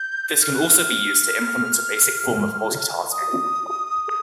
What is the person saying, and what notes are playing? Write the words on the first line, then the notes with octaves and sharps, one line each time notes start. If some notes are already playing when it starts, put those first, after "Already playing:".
This can also be used to implement a basic form of multitasking.
Already playing: G6
F6
F#6
F6
D#6